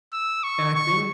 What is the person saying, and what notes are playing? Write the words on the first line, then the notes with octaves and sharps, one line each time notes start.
And I think
E6
C#6
C#6